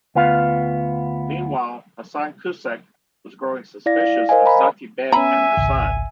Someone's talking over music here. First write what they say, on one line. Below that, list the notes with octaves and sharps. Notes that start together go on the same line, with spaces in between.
Meanwhile, Hasan Kucek was growing suspicious of Sati Beg and her son.
D2 B3 F4 F5
E4 D5 F5 A#6
F5
A#4 C5 D#5 F5 G#5
A#5 B5
B3 C#4 E5 G#5 A#5 B5
G#1 C#2